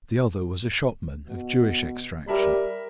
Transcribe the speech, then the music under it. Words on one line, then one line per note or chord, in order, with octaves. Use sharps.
The other was a shopman of Jewish extraction.
B2
G3 A#4 E5 B5